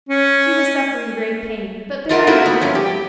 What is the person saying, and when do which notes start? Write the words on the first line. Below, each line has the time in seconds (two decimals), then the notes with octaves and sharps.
She was suffering great pain, but bearing it bravely.
0.09 C#4
2.09 A3 F4 A#4 F#5
2.27 A3 A#3 C4 D#4 E4 F#4
2.46 B3
2.61 G2 F3 C#4
2.75 G4